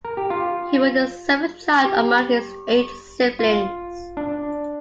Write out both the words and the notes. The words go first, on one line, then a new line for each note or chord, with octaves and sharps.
He was the seventh child among his eight siblings.
A#4
G4
F4
G4
F4
D4